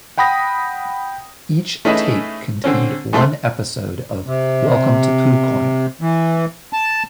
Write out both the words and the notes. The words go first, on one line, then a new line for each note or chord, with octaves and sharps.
Each tape contained one episode of "Welcome to Pooh Corner".
F#5 G5 B5 D#6 A#6
A3 C#4 D#4 G#4 B4 E5
D3 C4 C#4
G#2 A3 A4 C6
C3
E3
A5